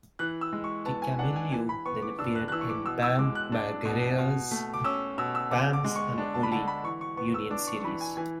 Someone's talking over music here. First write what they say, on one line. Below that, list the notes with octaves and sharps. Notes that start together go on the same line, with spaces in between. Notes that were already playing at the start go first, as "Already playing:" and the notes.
DiCamillo then appeared in Bam Margera's "Bam's Unholy Union" series.
E3 F#6
E6
G#3
C#6
B3 A5
G#5
D4 F#5
G#5
E3 G#5
B5
B3 C#6
D6
D4 E6
F#6
F#6
E3 E6
C#6
D6
B2 E6
E6
G#3 D6
F#6
D4
B2
B2
A3
D6
C#4 E6
B2 E6
E6
D3 D6
D6
G#3
C#6
D4
A5
B5
D3 A5
B5
E3 C#6
C#6
B3 C#6
E6
D4 D6
C#6
C#6
E3 B5
G#5
E3 G#5